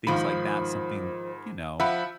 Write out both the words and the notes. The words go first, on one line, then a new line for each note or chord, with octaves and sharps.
things like that something, you know,
G#2 D#3 F3 B5
F3 E5 F#5 B5